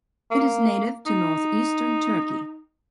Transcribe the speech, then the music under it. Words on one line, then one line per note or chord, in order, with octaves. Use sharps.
It is native to northeastern Turkey.
A#3
D#4